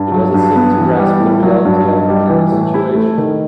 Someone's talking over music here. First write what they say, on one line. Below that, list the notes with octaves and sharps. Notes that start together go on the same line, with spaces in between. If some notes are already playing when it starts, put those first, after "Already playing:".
She doesn't seem to grasp the reality of her current situation.
Already playing: G2
F#3
G2
B3
E3
G3
A2
F#3
G2
D#4
G3
E3
A2
E4
A3
D#3